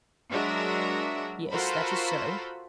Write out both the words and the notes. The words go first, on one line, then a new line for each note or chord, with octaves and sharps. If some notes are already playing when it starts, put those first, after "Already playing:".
"Yes, that is so."
F#3 G#3 D4 F#4 A#4 E5
F4 F#4 A4 A#4 C5 B5